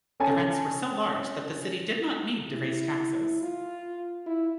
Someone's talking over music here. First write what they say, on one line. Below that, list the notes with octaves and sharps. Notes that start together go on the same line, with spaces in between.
The rents were so large that the city did not need to raise taxes.
C#4 A4 G#5 A5
E4
F4
E4